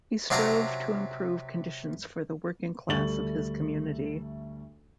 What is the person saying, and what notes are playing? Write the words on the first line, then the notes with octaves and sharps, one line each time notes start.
He strove to improve conditions for the working class of his community.
C3 F#3 D4 F5 A#5
D2 G3 A3 C#6 A6 F#7